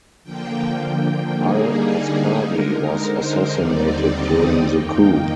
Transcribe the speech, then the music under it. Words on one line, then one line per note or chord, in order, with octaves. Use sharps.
Al-Askari was assassinated during the coup.
D3 F3 A#3 G5
D3 G3 A#3 D#4 G#4
G#4
D3 G#3 D#4 A#4
C5
D#2 D3 G3 C4 D#4 D5
D#5
F2 D#3 A#3 D#4 G5